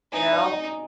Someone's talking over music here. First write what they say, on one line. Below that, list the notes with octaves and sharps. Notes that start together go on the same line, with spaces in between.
You know?
D#4 G#5
D5
D#5